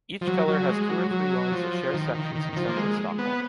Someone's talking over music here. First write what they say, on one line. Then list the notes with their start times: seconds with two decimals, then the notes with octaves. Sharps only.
Each color has two or three lines that share sections in central Stockholm.
0.21 F3
0.27 F#3
0.48 F#3
0.69 G#3
0.89 F#3
1.11 F#3
1.52 F3
1.94 D#3
2.15 D#3
2.35 D#3
2.53 D#3
2.57 F3
2.69 A#3
2.77 G#3
3.18 B3